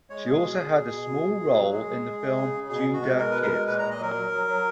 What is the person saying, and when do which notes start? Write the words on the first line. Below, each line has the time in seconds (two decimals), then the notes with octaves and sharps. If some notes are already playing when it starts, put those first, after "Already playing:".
She also had a small role in the film "Judas Kiss".
0.10 G#3 C#5
0.26 B2 G#4
0.42 B2
0.51 G#4
0.59 B2
0.75 B2
0.91 B2
1.08 B2
1.24 B2
1.40 B2
1.56 F#3
1.72 G#3 G#4
1.89 G#3
2.04 G#3
2.21 G#3
2.37 C#3
2.53 C#3
2.69 B2 G#4
2.85 B2
2.93 F#4
3.01 G#3
3.17 B2 A#4
3.31 G#3 B4
3.42 A#4
3.50 G#3
3.67 A#2 B4
3.79 A#2 A#5
3.91 D#5
3.99 F#3 A#4
4.15 F#3
4.31 F#3
4.48 F#3